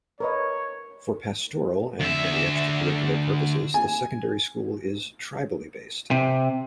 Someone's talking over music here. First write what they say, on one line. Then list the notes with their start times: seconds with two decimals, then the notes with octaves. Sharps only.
For pastoral and many extra-curricular purposes the Secondary School is "Tribally" based.
0.20 A#4 B4 C#5 D#5
2.00 D2 E5
3.74 G#5
6.11 C3